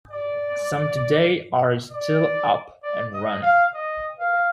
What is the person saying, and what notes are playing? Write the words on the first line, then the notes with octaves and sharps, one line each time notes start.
Some today are still up and running.
D5
D5
D5
D#5
F5
D#5
F5